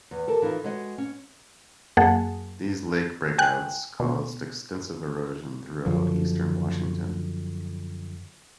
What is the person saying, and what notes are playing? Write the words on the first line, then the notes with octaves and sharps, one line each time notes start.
These lake breakouts caused extensive erosion throughout eastern Washington.
E2
G4 A4 A#4
E3 D#4 F4
G#3 F#4 D#5
C#4
F#2 A#3 G#4 F#5 A5
G5 G#5 F#6
B2
F#2 D3 F3